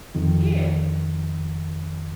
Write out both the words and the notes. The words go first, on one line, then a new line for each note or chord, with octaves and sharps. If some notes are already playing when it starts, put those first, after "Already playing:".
Yeah, m
F2 D#3